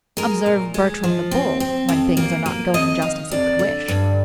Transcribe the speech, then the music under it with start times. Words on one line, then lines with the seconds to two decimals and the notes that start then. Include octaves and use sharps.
Observe Bertram the Bull when things are not going just as he could wish.
0.17 G#3 A#4
0.46 A#2
0.74 G#3
1.04 F3
1.31 C4
1.60 C4
1.89 F2
2.17 A#3
2.46 A#3
2.74 F2 D#5
3.02 D#3 F5
3.31 F2 D5
3.59 D3
3.88 G2